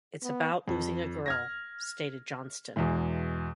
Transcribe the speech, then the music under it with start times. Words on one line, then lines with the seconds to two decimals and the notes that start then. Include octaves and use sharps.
"It's about losing a girl," stated Johnston.
0.23 B3
0.68 F2
1.26 F6 G#6 A#6
2.76 E2 B2 E3 G#3